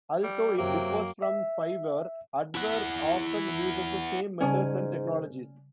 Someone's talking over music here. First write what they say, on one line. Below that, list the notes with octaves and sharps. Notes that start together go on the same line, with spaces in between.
Although it differs from spyware, adware often uses the same methods and technologies.
G3
F#2 C3 F#3 A#3 G5
E5
E4 F#5
G#2 C#3 G3 C#4 D5 G#5